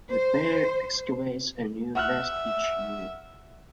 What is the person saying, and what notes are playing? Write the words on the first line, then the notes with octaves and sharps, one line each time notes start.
The pair excavates a new nest each year.
C5
E5 F#5 F6 F#6